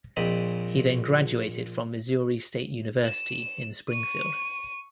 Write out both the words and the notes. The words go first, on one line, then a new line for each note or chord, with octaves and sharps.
He then graduated from Missouri State University in Springfield.
A#1 A#2 C4 D#5 A#5 B5
E7
C#6 D#7